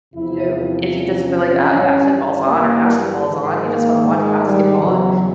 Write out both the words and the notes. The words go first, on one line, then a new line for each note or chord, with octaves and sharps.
You know, if you just feel like, "Oh, yeah, football's on or basketball's on," you just wanna watch basketball and,
E2 C3 F3 E4
E4
C#4
C#4
G2 E3 C#4
A#3
G#2 D#3
A#3
G#3
G3
E2 C#3 E3 F#3